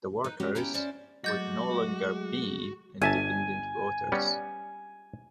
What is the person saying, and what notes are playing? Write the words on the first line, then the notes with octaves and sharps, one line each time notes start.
The workers would no longer be independent voters.
D#4 B4
G3 G#3 C#4 F#4 G4
B3 C#4 E4 G4 A#5
C#4 E4 C5 D5
F#3 G#3 A3 F#4 D#5 D6 G6 A6
G1 E5 G#5 A5
G3 B3 C#4